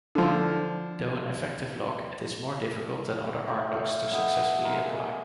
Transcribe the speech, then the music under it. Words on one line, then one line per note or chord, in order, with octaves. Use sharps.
Though an effective lock, it is more difficult than other armlocks to successfully apply.
D3 F3
A2 D5 G5
A4 F5 C#6
B3 D#5 E5 G5
G#3 A#3 A4 C6